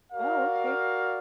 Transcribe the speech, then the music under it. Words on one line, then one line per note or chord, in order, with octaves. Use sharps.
Oh, okay.
F#4 A#4 D5 F5